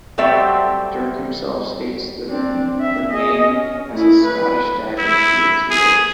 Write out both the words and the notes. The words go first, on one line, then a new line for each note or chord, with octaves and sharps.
Dirk himself states that the name has a "Scottish dagger feel" to it.
F#3 G3 A3 C4 C5 E5
C4 D4
E5
G#4 D#5
C#4
A3 E4
B4
E4
G#4